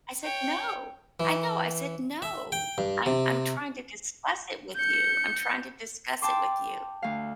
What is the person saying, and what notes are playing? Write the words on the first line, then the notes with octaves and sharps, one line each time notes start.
I said, "no, I know." I said, "no, I'm I'm trying to discuss it with you. I'm trying to discuss it with you."
C#5 G5
E3
E5
G5
G2
C3
G6 C#7
G5 A5 C6 D6
D2 F5